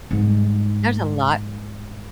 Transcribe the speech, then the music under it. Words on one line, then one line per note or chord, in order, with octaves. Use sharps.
There's a lot
G#2 G3